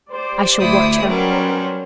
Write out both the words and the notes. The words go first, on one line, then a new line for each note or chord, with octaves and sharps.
I shall watch her.
G4 C5 D5
D2 E4 D#6
F#3 G3 B3 C#4 A#4 C5